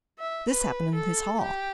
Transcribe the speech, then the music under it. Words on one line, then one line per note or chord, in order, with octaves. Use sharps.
This happened in his hall.
E5
B4
A4
G4